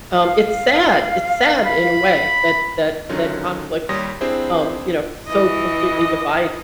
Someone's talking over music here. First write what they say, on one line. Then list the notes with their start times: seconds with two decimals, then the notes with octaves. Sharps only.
um, it's sad, it's sad in a way that that that conflicts, um, you know, so completely divide
0.19 F5
1.66 B5
3.09 D3 D#3 F#3 C#4 D#4 F4
3.89 D#2 G3 C#5 C6 D#6 A#6
4.21 C4 D4 E4 G4 G#4 C5
5.28 E3 D#5